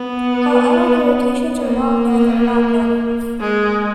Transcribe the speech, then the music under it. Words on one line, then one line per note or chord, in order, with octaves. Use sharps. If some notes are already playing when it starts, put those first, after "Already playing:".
However their rotations are not known or not known enough.
Already playing: B3
A#3
G#3